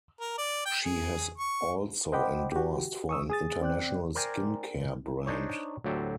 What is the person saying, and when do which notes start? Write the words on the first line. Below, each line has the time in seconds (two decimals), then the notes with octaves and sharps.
She has also endorsed for an international skin care brand.
0.20 A#4
0.38 D5
0.65 G5
0.85 G#4
1.38 C#6
2.12 C5 D#5 F#5 G5 B5 D6
2.52 F#4 G4
3.09 C#6 D#6 E6
3.30 G#4 D#6 A6
3.61 C4 D5 G5 F#6
4.15 A#4 C5 D5 G5 G#5
5.26 D4 D#4 C5 C#5
5.84 D2 A2 F#3 G4 A4 C5